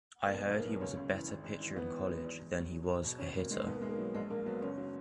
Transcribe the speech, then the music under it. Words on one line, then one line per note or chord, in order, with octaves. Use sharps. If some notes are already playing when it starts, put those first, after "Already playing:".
I heard he was a better pitcher in college than he was a hitter.
A#3
B1 B3
B1
A#3
F#3
C#2 C#4
C#2
E3
G#1
G#1
E3
G#1 B3
G#1
F#3
E2
E2
F#3
E1
E1
B2
G#1 C#4
F#3 A#3
D#3 G#3
B1 B3
A#3
B1 G#3
A#3
F#3
A#1 G#3
A#1 A#3
F#3 B3
F#1 C#4
F#3